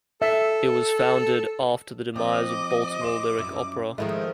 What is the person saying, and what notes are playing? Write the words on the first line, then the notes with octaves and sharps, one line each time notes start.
It was founded after the demise of Baltimore Lyric Opera.
A4 E5
F3 C4 D#5 D6
D6
C6 E7
F#2 E4
D#3 F3 G#3 A3 E4 A#4